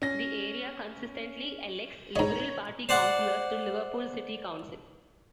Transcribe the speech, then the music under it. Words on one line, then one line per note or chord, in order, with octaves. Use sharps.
The area consistently elects Liberal Party Councillors to Liverpool City Council.
C#4 A#6
G#2 C#5 D#5 A#5
C5 D5 F#5